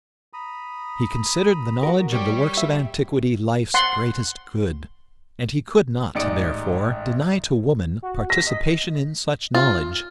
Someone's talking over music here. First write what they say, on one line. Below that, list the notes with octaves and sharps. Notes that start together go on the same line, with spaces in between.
He considered the knowledge of the works of antiquity life's greatest good, and he could not, therefore, deny to woman participation in such knowledge.
A#5 B5 D#6
F#4 A#4
G3 G4 C#5
E5
F#5 C6
A1 G#2 D#4 D5 C#7 D7
F#4
A#6 B6
D#5
F4